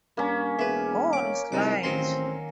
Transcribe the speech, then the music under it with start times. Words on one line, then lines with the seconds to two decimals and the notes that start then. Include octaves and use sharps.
God is Light.
0.17 G2 A#3 C#4
0.59 E1 G#4 B4 E5
1.13 C#5 D6
1.52 C2 G#2 C3 D#4 D6
1.83 A1 D#3 F#3 C4 C6